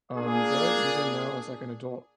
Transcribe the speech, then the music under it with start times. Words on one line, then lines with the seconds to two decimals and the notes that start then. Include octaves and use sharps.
um, good even now as, like, an adult."
0.17 A#2 A#3 D4 G#4